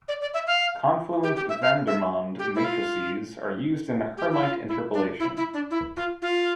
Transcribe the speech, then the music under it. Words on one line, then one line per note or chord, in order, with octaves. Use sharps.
Confluent Vandermonde matrices are used in Hermite interpolation.
D5
D5
E5
F5
G4
G4
E5
F5
E5
G4
E4
F4
G4
E4
F4
E4
D4
E4
E4
D4
E4
F4
F4